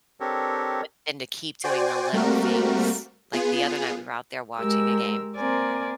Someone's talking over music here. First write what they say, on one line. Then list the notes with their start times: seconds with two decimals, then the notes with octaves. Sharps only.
but then to keep doing the little things, like, the other night, we were out there watching a game,
0.20 C4 D4 G4 A4 A#4 C#5
1.64 F#4 C5 D5 G5 G#5
2.13 G3 A3 A#3 C4 F#4 A#4
3.33 B3 F4 G#4
4.57 G#3 G4 A#4 E6
5.35 A#3 C4 A#4 D5 G#5